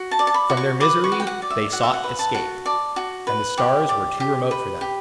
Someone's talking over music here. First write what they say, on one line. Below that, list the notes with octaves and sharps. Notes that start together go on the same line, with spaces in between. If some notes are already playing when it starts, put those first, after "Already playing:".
From their misery they sought escape, and the stars were too remote for them.
Already playing: F#4
A5
D5
A5
B5
F#4
C#6
B4 D6
C#6
F#4
G5
F#5
D5
E5
F#4 F#5
E5
F#5
B4
A5
F#4
D5 A5
F#4
B4
G4
D5
G4
B4
G4